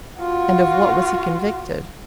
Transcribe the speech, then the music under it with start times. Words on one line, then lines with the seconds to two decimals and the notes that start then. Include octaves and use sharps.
"And of what was he convicted?"
0.21 F4 F#4